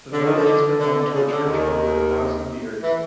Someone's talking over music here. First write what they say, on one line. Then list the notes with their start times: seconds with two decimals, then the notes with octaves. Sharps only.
The village has been home to a church for over a thousand years.
0.13 D3
0.25 D#3
0.37 D3
0.80 D3
0.96 D3
1.13 C#3
1.30 D3
1.47 D#2 D#3
2.82 E3